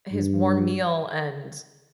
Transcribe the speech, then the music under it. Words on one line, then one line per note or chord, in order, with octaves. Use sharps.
his warm meal and
G2